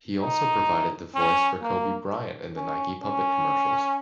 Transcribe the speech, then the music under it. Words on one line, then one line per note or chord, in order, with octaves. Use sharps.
He also provided the voice for Kobe Bryant in the Nike puppet commercials.
D#4
C#4
A#3
C#4
C#4